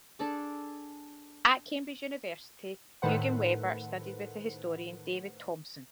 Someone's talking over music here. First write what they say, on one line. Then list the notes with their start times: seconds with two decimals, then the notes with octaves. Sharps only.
At Cambridge University, Eugen Weber studied with the historian David Thomson.
0.19 D4 G#4 A4 D6
3.02 A2 D#3 A4 B4 C5 F#5